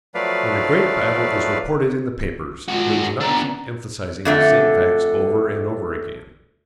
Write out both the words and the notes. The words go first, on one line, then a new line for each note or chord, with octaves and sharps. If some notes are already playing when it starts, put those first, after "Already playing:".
When a great battle is reported in the papers, they do not keep emphasizing the same facts over and over again.
F3 F#3 A3 B4 D5 F5
G#2 F4 F#4
G#4
B3 D4 A#5
F2 D3 A3